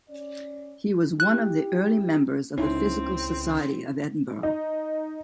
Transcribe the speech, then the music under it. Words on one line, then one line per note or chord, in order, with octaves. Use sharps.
He was one of the early members of the Physical Society of Edinburgh.
C#4 D5
E4 G4 F#6
C#2 C4 C#4 D#4 E4
D#4